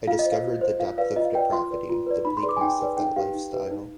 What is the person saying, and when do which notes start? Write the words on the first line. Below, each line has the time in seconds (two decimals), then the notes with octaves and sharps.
I discovered the depth of depravity, the bleakness of that lifestyle.
0.07 F4 F5
0.19 D#5
0.25 C5
0.32 F5
0.44 F4
0.61 C5
0.79 F4 F5
0.98 B4 D5 F5
1.16 F4 D#5
1.25 F5
1.35 B4 D5 G5
1.52 F4 C6
1.71 B4 D5
1.89 F4
2.06 B4 D5
2.25 D#4 B5
2.37 C6
2.43 G#4 B4 D5
2.49 D6
2.57 G#5
2.61 D#4 G5
2.80 G#4 B4 D5
2.97 D#4 G5
3.16 G4 B4 F5
3.34 D#4
3.53 G4 B4
3.71 D#4